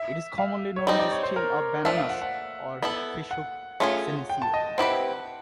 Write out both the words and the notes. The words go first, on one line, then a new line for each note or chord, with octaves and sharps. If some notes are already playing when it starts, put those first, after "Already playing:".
It is commonly known as string of bananas or fishhook senecio.
Already playing: E5
F5
C#5
G3 C4 D#4 D5
D5
C#5
C5
A#4
F3 A3 D4 E5
F5
F#5
F#5
B3 E4 A4
F#5
A3 C#4 F4 G#4
G5
A5
D#5
C4 E4 G4 B4 F#5